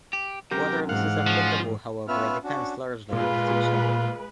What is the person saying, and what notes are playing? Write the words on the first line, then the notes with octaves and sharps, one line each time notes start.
Whether this is applicable, however, depends largely on the teacher.
G4
F#2 C3 G4 A#4
G#2 E3 F5 F#5
F3 C#4 F#4
B3 C#4 F4 B4 E5 F6
C#4 D4 F#4
A#2 G#3 F4 B4